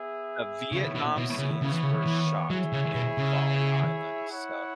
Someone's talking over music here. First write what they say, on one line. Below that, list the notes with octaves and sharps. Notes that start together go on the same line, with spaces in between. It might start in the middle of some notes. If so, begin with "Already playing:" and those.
The Vietnam scenes were shot in Folly Island, so
Already playing: B3 G#4 E5
C#3 B3 E4 C#5
B2
B2
C#3
C#3
E3
C#3
E3
F#3 E4 G#4 C#5 E5
C#3
B2
C#3
E4 C#5 F#5